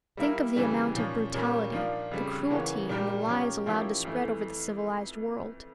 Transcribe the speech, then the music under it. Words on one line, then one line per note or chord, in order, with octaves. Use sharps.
Think of the amount of brutality, the cruelty and the lies allowed to spread over the civilized world.
G3 A#3 E4 A#4
F2 C#3 E3 G3
A#2 F3 C#4
A#2 G3 A#3 C#4
F3 A#3 D4 F4
F2 C#3 G3
E2 C#3 E3 A#3 C#4
A#2 G3 D4 G4 A#4
F3 A#3 C#4 G4 A#4
F3 A#3 C#4 E4 G4
F2 E3 A3